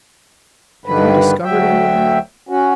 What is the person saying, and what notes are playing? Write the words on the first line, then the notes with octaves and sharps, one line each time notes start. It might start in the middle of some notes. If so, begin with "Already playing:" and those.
"Have you discovered anything?"
G2 D3 D#3 B4
D2 F#3 E5 G5
C#4 F#4